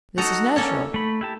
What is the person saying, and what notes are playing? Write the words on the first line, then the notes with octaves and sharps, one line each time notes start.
This is natural.
D#4 F#4 A4 A#5
A#3 C#4 A4 C#5
A3 B5
E4 G4 A5